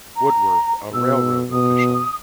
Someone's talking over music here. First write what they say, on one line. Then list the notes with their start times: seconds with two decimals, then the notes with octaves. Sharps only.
Woodworth, a railroad official.
0.16 A#5
0.93 B2 E6
1.52 B2 D#6